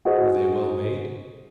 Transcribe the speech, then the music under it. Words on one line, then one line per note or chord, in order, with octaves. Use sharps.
Were they well made?
F#4 G#4 C5 D#5